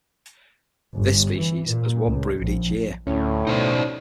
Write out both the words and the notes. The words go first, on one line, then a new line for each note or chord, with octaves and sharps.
This species has one brood each year.
G1
E3
A#2
C#2
A#1
D2 A2 C#4 C#5
B2 D#4 C5 D5